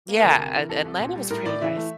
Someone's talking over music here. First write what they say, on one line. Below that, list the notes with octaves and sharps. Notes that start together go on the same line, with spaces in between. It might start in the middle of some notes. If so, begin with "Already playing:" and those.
yeah, At Atlanta was pretty nice.
A#3
A#4
D2
A#4
C3
E3
C2 A4
C2
A#2
G3
A2 A#4
A2 D5
E3 E5
A3